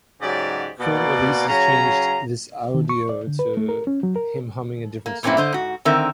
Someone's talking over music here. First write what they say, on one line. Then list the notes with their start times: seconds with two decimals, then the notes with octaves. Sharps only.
Current releases changed this audio to him humming a different song.
0.22 G#2 C#3 F#3 F#4 G4 D5
0.79 B2 A#3 D5
1.48 C#3 F#3 C#5 A#5
2.74 D#3
2.89 C#6
3.09 D5
3.27 D3
3.39 B4
3.57 A3
3.69 A#4
3.87 C#4
4.03 F#3
4.16 A#4
5.06 A#3
5.23 E2 A#2 A#3 C4 C#4 E4
5.37 D3 C5 D#5
5.53 G#2 F#4
5.85 D3 D#3 C4 A#4 E5